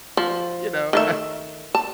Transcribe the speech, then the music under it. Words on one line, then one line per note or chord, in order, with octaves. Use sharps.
you know. Uh
F3
D#3 A3 E5
A5